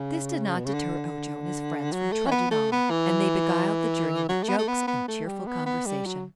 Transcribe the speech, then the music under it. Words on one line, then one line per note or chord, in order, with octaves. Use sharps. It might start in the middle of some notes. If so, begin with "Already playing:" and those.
But this did not deter Ojo and his friends from trudging on, and they beguiled the journey with jokes and cheerful conversation.
Already playing: C#3
B2
C#3
D3
F#3
A3
C#4
B3
A3
B3
E3
F#3
A3
B3
A3
B3
B3
A3
G3
B3
B3
G3
F#3